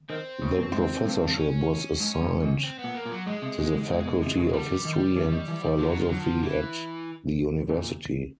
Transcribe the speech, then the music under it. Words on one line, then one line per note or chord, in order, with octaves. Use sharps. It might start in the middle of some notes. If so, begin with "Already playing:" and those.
The professorship was assigned to the Faculty of History and Philosophy at the university.
D#3 C4
C#3
C3
B2
G#2
G2
C#4
G#2
G2
G#2
C4
B3
A#2
A#3
A#2
F#3
G#2 G#3
C3
A#2
G#2
G#2
B2
C3
C#3
D3 G3
D#3
E3
D#3
E3
D#3
D3 F3
F#3
F3
D3 F#3
F3
E3
A#2